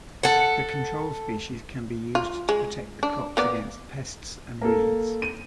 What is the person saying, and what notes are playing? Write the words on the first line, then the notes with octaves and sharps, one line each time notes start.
The control species can be used to protect the crops against pests and weeds.
A4 F#5
F4
G#3
D4
A#3 B3 D5
A#3 A4
D#7